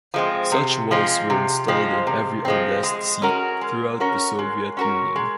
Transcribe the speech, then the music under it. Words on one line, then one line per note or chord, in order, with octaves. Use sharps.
Such walls were installed in every oblast seat throughout the Soviet Union.
F3 G#3 C4
C3
F3 G#3 C4
C3
F3 G#3 C4
C3
F3 G#3 C4
G#3
C#4 F#4 A#4
G#3
C#4 F#4 A#4
G#3
C#4 F#4 A#4
G#3